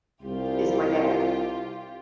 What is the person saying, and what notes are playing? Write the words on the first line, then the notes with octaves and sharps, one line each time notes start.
is my dad.
C2 F4 G4